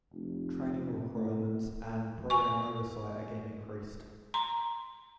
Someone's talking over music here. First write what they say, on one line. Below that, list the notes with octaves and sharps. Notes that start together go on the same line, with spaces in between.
Training requirements and program oversight again increased.
F1
A2
G#5 C#6
A#5 C6